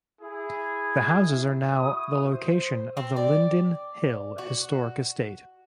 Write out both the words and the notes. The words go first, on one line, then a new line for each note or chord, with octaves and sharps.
The houses are now the location of the Linden Hill Historic Estate.
E4 G#4
E4 F#4 D#6
C5
C4
D5
F#4